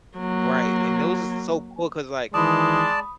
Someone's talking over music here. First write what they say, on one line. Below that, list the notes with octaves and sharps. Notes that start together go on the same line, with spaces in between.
Right. And those are so cool 'cause, like,
F#3 A#3
D#3 E3 G#3 D5 A5 B5 D#6